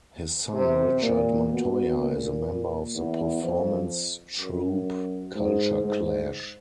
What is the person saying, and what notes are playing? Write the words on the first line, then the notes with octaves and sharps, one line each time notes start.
His son Richard Montoya is a member of the performance troupe Culture Clash.
C3
A#2
B2
A#2
E2
F2
F#2
G#2
G#2